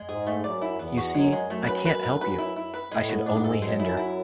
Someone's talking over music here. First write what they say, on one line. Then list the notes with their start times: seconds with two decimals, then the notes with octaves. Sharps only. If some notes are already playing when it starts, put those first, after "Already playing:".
You see, I can’t help you; I should only hinder.
Already playing: G#3
0.09 G#2 G#4
0.27 A3
0.44 F#2 D5
0.62 E4
0.79 E2 B3
0.98 F#4
1.14 F#2 G#3
1.32 G#3
1.50 F#2 A3
1.67 B4
1.85 B4
2.03 B4
2.21 B4
2.38 E4
2.57 E4
2.74 B4
2.91 A2 G#3
3.09 B3
3.26 G#2 D4
3.44 A4
3.62 F#2 G#3
3.80 E4
3.97 E4